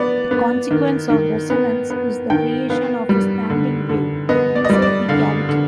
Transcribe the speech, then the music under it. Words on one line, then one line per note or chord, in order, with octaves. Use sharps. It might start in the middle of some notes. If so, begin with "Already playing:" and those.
A consequence of resonance is the creation of a standing wave inside the cavity.
Already playing: B3 B4 D5
B3
D#3
D#3
B3
B3
D#3 G5
B3 F5
G3
D3
D3
B3 D#5
D5
D#5
G3 D5
D5
D3 F5
D3